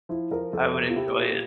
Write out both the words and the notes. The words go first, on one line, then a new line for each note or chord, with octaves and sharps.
I would enjoy it.
F3 E4
F3 A#4
F2 A4
C3
F4
E4 G4
A#2